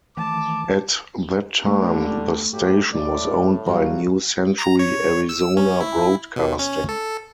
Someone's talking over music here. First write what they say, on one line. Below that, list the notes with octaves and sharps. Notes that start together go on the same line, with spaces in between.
At that time, the station was owned by New Century Arizona Broadcasting.
D#3 E3 A3 A5 D6
D3 G3 A3 B3
A2 F#4 G4
A2 D5
F#3 G3 F#4 F5
A#5
C#5
E6
C#4
E4
B2
C#4
A4